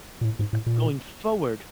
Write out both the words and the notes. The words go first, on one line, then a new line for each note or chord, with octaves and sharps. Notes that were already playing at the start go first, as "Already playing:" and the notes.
but going forward,
A#2
A2
G#2
A2
A#2